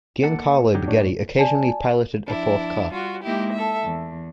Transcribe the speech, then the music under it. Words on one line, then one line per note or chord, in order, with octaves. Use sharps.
Giancarlo Baghetti occasionally piloted a fourth car.
A#3 A4 F#5
D3 F#3 D#4 G4
A2 D4 C#5
D5 G#5 A5
F3 D4 E4
G3 F4 F#4
G#3 A#3 D#4 E4 G4
A4 E5
E2